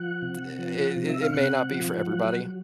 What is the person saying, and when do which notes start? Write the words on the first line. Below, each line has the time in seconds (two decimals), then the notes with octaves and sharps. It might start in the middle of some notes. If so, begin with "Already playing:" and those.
it it it may not be for everybody.
Already playing: F3 F#5
0.22 C3
0.58 F3
0.96 C3
1.09 E5
1.21 F5
1.34 C3 F#5
1.72 F3
2.08 F#3
2.46 F#3